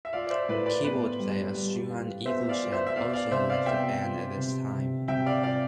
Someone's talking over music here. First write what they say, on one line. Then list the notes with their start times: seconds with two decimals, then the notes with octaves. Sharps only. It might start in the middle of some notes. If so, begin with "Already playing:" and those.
Keyboard player Struan Eaglesham also left the band at this time.
0.05 E5
0.13 F4 D5 F5
0.27 D5
0.30 C5 E5
0.49 A2 B4 D5
0.66 B4 D5
0.83 B3 B4 D5
1.20 G3
1.55 G3
1.90 F4
2.25 B3 C5 E5
2.49 D5 F5
2.60 F4
2.72 C5 E5
2.87 E5
2.96 B3 D5 F5
3.13 D5 F5
3.31 C3 C5 E5
3.50 D5 F5
3.66 B3 E5 G5
4.02 F4
4.38 C3
4.73 C3
5.08 C3 E5 G5
5.26 D5 F5
5.43 F4 D5 F5